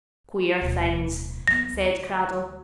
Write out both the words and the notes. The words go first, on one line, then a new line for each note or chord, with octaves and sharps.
"Queer things!" said Cradell.
D1 B2
F3 B3 A#6
D2